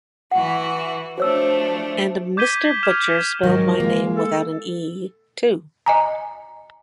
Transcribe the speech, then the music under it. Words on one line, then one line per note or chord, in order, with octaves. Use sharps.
And Mr. Butcher spelled my name without an e, too.
E3 F#4 F#5
F3 A3 D4 F#4 C5 C#5 E6
D6 G6 G#6 B6 D#7 G7
F6 G#6 E7 F7
G#2 D#3 F#3 A#4
G#3 A#3
A4
D#5 G#5 A#5